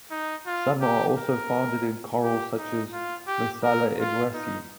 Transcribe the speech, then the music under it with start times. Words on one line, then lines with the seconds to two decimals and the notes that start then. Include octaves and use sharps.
Some are also found in corals such as Maasella edwardsi.
0.11 D#4
0.47 F4
0.81 G4
1.17 A#4
2.23 G4
2.58 D#4
2.92 F4
3.27 G4
3.63 A#4
3.99 F4
4.34 D#4